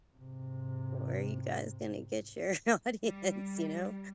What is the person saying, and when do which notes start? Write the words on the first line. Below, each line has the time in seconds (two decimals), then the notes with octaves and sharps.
"Where are you guys gonna get your audience," you know?
0.17 G#2 C3
3.04 G3